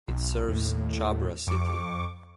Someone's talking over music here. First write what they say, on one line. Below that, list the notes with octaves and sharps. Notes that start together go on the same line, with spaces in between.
It serves Chhabra city.
B1
D#2 A2
F2 C#6 D6